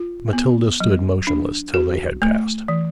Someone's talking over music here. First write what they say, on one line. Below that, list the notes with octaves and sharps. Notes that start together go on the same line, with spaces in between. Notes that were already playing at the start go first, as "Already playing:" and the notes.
Matilda stood motionless till they had passed.
Already playing: F4
B3
F#3
D4
F#4
A3
E3